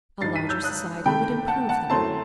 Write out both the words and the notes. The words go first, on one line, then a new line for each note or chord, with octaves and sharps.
A larger society would improve them.
G2 E3 G3 D#4 A6 C7
B6 D#7
E6 G6
D#6 F#6
C3 D#3 A3 G5 B5
F#5 A5
F#5 A5
F#2 F#3 A3 C4 E4 A5 C6